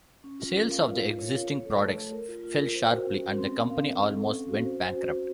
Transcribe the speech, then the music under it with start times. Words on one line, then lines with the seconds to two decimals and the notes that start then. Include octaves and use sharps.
Sales of the existing products fell sharply, and the company almost went bankrupt.
0.24 C#4
0.40 F4
0.56 A#4
0.71 F5
0.88 F4
1.02 F4
1.19 C#5
1.35 C#5
1.50 C#5
1.65 A4
1.81 A3
1.98 A3
2.13 A#4
2.29 F4
2.43 F4
2.60 A#4
2.75 C5
2.91 F#4
3.06 C#4
3.22 C#4
3.38 C4
3.53 A#4
3.70 F5
3.85 C4
4.00 A4
4.17 A4
4.32 C#4
4.48 F#4
4.64 C5
4.80 C5
4.95 F#4
5.10 F#4